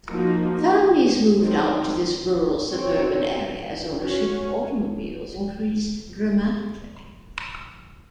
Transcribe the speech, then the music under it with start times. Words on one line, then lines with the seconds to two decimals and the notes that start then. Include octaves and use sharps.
Families moved out to this rural suburban area as ownership of automobiles increased dramatically.
0.11 F3 A#3 D#4 F#4
1.40 D#3 F#3 C4
2.70 C4 F#4 C#5
4.00 C#4 F#4 C#5